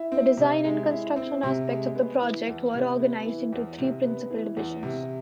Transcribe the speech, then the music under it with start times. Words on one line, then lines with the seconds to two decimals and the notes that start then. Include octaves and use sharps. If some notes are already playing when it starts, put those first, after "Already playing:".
The design and construction aspects of the project were organized into three principal divisions.
Already playing: E4
0.12 C4
0.37 C3
0.64 G#3
0.90 E4
1.16 C4
1.43 C3
1.69 G#3
1.95 B3
2.22 E3
2.47 E2
2.74 C3
3.00 B3
3.26 E3
3.53 E2
3.78 C3
4.04 B3
4.31 E3
4.57 E2
4.83 C3